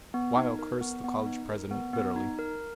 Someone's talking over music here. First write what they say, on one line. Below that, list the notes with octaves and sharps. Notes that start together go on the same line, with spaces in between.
Weill cursed the college president bitterly.
B3
D#4
A#4
B3
B3
D#4
A#4
B3
B3
D#4
A#4